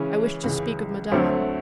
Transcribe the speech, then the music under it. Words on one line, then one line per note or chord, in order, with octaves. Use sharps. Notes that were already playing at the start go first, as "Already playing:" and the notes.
"I wish to speak of Madame."
Already playing: C#3 E3 G#3 C#4
C#2 C#3 E3 G#3
D2 D3 F#3 A3 C4